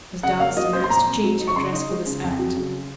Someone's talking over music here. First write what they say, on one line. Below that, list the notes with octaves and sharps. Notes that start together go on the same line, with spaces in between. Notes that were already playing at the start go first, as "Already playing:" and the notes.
"Miss Dalstan has to change her dress for this act."
C#3 F#5
A#3 F5
F#3 D#5
C#4 C5
C6
A#2 A#5
C4
F#3
D#4
C#6
C#3 C6
D#4
G#3
C#3
F2
F#3
C#3